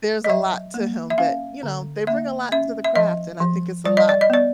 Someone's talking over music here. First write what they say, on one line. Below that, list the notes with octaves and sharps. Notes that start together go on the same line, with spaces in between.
There's a lot to him that you know, they bring a lot to the craft, and I think it's a lot.
D#5
F#3 E5
A#3
E5
C#4 F5
D3
A#3 E5
C#4 E5
E5
F3 D#5
F3
G3 D5
D#5
D5
D#5
B3 D5